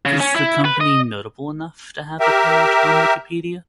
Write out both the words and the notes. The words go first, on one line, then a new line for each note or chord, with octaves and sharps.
Is the company notable enough to have a page on Wikipedia?
C#3
C#4
E4
B4
D#5
G4 A#4 E5